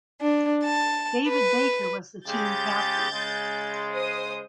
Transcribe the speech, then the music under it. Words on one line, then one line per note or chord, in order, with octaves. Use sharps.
David Baker was the team captain.
D4
A5
B4
C#3 G#3 G4 G6 A6
C#3 G#3
C5 D#6